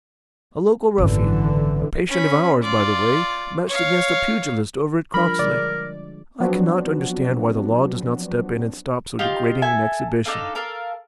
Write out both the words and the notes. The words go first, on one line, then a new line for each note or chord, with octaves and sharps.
A local ruffian, a patient of ours, by the way, matched against a pugilist over at Croxley. I cannot understand why the law does not step in and stop so degrading an exhibition.
G#1 F#2 D3 E3
C#4 B5
F4 D5
C#5 F5
F3 G3 D4 A#4 B5
D3 G#3 D5
F3 F#3 B3 C4 D4 F#4
D#4 F4 G4
A4 E5 G#5
D4 D#4 A4 F5
A4 A#4 F5